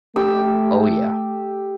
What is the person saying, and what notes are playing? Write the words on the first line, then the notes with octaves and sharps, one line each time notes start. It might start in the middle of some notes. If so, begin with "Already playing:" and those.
Oh, yeah.
A3 G4 E6